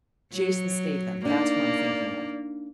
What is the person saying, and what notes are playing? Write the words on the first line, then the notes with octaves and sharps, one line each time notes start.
Jason Statham, that's who I'm thinking of.
F#3
A#3 D4 D#4 D5